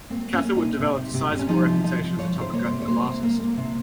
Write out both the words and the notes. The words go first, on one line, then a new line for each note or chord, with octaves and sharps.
Catherwood developed a sizeable reputation as a topographical artist.
A#3 C4
A#3
C#4
A#3
D#4
C3
C3
C3
C3
C3
C#4
F3 D#4
C3
F3 D#4
F3
F3 C#5
C3
C5
A#3 C#5
C5
C3
C#5
A#3 C5
C3
A#3
A#3
C3